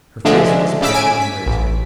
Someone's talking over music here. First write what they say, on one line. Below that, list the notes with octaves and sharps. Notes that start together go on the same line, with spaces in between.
Her face was pale and rigid.
D3 F3 G#3 A3 D4
C#3 D6 E6 B6
G#5 D7
B6
A1